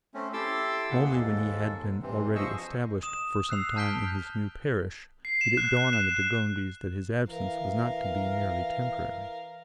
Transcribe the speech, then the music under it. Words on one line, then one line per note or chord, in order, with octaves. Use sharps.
Only when he had been already established for some time in his new parish did it dawn on the de Gondis that his absence was not to be merely temporary.
A3 C4 C#4
E4 G4 A4 C6 D6 E6
D#2 A#2 G#4 F#5
D#2 G#2 G#3 A4
G2 C3 E3 C4
F3 G#4 C5 D#5 C#6 E6
D#6 E7
E6 F#6 C7 F7
A5 F6 G6 B6 D7 G7
C7
E7
F#6
F#6
E7
E3 A#4 F5